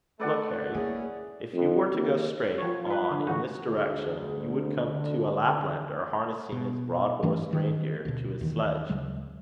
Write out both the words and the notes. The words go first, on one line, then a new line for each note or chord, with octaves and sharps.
Look, Harry, if you were to go straight on in this direction, you would come to a Laplander, harnessing his broad-horned reindeer to his sledge.
A3 B4 D5 F#5
A#3 C#4 E4 G#4
F2
D#2
F3 C#5
F4 B4
D3
C#3 E3 F#4
D2 G#4
D3
B2
G2 E3 A3 C#4
D#3
D2 B2
D#2 D#3 E3
D2 C#3 F#3 G#3